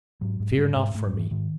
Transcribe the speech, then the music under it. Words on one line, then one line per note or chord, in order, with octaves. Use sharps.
Fear not for me.
G#2 F#3
G#2
G#2 G3
G#2
G#2 A3
G3
G#2
E3
G#2 D#3